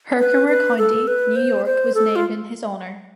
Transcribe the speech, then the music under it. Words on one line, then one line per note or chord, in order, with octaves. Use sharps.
Herkimer County, New York was named in his honor.
B4
B4
A4
B4
C5
C5
A4
F4